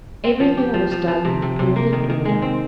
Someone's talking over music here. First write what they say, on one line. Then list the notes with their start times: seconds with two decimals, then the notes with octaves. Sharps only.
Everything was done in perfect order.
0.24 C4
0.40 F3
0.57 G4
0.74 F3
0.92 F3
1.08 F3
1.25 C3
1.42 C3
1.59 C3
1.76 A#3
1.93 D#3
2.10 D#3
2.25 G#3
2.42 C4